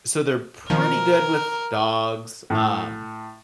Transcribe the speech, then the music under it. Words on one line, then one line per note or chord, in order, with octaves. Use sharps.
so they're pretty good with dogs. Um,
B2 D#3 F3 A#4
A2